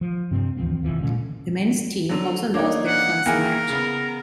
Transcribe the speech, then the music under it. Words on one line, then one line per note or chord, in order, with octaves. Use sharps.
The men's team also lost their first match.
F3
G2 C3 C4
D2 E3 F3 C4
F1 C#2 E3 F3
A#2 D3 G#3 C#4
D3 F#3
A#3 D4 D#4 C#5 D5
F#5
E3 A#3 G#4 A#4 G5 G#5
C#3 B3